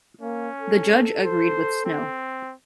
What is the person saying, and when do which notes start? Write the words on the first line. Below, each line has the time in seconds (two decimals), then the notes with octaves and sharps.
The judge agreed with Snow.
0.21 A#3 C#4
0.59 A4
1.26 C5
1.85 C4